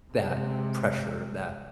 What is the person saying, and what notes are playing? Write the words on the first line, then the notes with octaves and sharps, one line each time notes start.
that pressure, that
C3 G#3